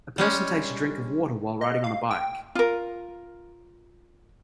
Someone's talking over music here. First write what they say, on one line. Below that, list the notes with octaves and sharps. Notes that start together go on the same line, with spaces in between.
A person takes a drink of water while riding on a bike.
G3 G#3 C#4
D#5
F5
G5
F4 A#4